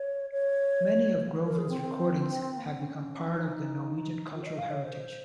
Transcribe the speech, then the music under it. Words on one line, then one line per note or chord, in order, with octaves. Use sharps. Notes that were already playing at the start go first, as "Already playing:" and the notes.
Many of Groven's recordings have become part of the Norwegian cultural heritage.
Already playing: C#5
C#5
A#4
G#4
C4
C4
A#3
C4
C#4
D#4
F4
C#5
D#5
F5
C#5
C5